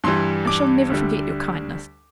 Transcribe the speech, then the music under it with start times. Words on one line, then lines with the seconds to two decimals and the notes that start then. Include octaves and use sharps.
I shall never forget your kindness.
0.04 G2 E3 G3 C6
0.47 D6
0.90 D2 D3 G3